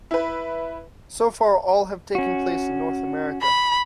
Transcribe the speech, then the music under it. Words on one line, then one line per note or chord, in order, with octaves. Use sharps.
So far all have taken place in North America.
E4 B4
C#4 F#4
B5